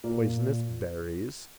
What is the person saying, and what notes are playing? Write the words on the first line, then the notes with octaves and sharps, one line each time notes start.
Poisonous berries.
A#2